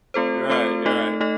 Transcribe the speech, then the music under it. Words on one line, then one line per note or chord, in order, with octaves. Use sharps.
You're right, you're right.
A3 C4 F4 A4 C5
A3 C4 F4 A4 C5
A3 D#4 A4 D#5
A3 D#4 A4 D#5